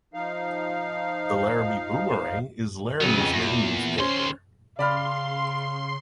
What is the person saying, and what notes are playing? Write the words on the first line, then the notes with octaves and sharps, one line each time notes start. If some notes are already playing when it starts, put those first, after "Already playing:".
The "Laramie Boomerang" is Laramie's main newspaper.
F3 D#4 F5
C#3 F#3 B3 D#4
F2 C#3
E2 A#2 A#6
D#2 C#4 C5 C6
C#3 D5 F5 B5 C6 F6